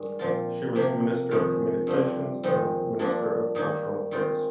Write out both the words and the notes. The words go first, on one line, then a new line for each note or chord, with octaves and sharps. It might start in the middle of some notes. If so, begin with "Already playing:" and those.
She was Minister of Communications and Minister of Cultural Affairs.
Already playing: G2 D#3 G#3
A#2 F3 C4 F4
C3 F3 A#3
F2 D#3 G#3
G2 F3 C4
F2 D#3 G#3 C4
G2 F3 A#3 D4
G2 D#3 A#3 D#4
D#3 G#3 C4 F4